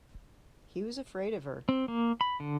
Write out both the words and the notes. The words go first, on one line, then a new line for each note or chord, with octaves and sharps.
He was afraid of her.
C4
A#3
B5
D3